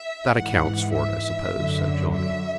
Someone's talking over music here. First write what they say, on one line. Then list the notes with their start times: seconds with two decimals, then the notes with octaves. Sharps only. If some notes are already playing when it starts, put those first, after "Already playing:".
"That accounts for it, I suppose," said Johnny.
Already playing: E5
0.34 G#2 E3 F#5
0.95 E5
1.55 F#2 D3 F#3
2.14 E5